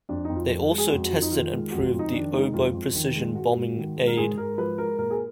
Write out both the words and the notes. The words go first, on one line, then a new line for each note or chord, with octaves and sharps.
They also tested and proved the Oboe precision bombing aid.
F2 D4
F2 D#4
F4
F3
G#3
G#4
F2 F#4
F#4
F2 F4
D#4
D#3 F4
G#3
F2 F#4
F4
F2
D#4
D#3 D4
G#3 D#4
F2 F4
F2
D#3
G#3
G#2 F#4
G#2
D#3
G#3
A#4
G#2 G#4
G#2 A#4
F3 B4
G#3 A#4
A#2 A#4
G#4